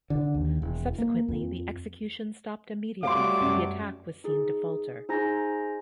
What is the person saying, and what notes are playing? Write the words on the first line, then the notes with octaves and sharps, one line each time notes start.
Subsequently the executions stopped immediately the attack was seen to falter.
D3
D#2
E1
A#3
F2
F#3 G3 A3 F5 C6 D6
F#2
D#4 G#4
D#4 G#4 C5 G#5 A#5 A#6